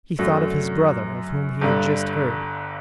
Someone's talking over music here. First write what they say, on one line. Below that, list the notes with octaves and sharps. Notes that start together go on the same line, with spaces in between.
He thought of his brother, of whom he had just heard.
F#2 D3 F#3 A3
G1 G2 D3